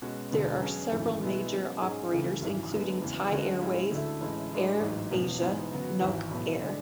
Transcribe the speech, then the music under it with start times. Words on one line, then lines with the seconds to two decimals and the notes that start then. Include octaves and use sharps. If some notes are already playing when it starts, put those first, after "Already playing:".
There are several major operators including Thai Airways, Air Asia, Nok Air.
0.02 B2 G#3 C#4 F#4
0.31 E1 D2 D3 G#3 B3
0.62 B2 F#3 C#4 G#4
0.91 G#1 F#2 C#3 E3 A3
1.21 B2 G#3 B3 E4
1.51 B2 F#3 C#4
1.81 G#2 G#3 C#4 G#4
2.12 C#2 C#3 E3 A3
2.41 G#1 F#2 E3
2.71 D2 D3 G#3 B3
3.02 F#1 E2 C#3 E3
3.31 D2 D3 G#3 C#4 F#4
3.61 A2 G#3 C#4
3.92 D2 D3 A3 E4
4.21 A1 A2 G#3 C#4
4.51 A2 G#3 D4
4.81 A1 G#2 F#3
5.11 E1 E2 C#3
5.41 G#2 E3 B3
5.72 D2 C#3 F#3 B3 F#4
6.01 G#1 G#2 E3
6.31 B1 A2 F#3 B3
6.60 D3 G#3 D4